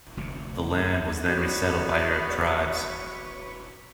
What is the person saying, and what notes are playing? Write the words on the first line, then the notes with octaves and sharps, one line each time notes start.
The land was then resettled by Arab tribes.
F1 D2 C3
B3 F#4 B4 C#5 D5